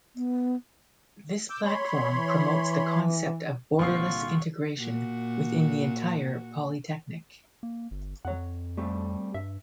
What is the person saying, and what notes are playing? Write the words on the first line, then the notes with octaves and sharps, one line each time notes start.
This platform promotes the concept of borderless integration within the entire Polytechnic.
B3
D6 E6 G6
C#5 B5 C6
E3
C2 A#2 D3 C4 F4 F5 C#6 C7
A#2 F#4
A#3
G1
F2 C#5 F#5
G3 A3 C4
G2 E5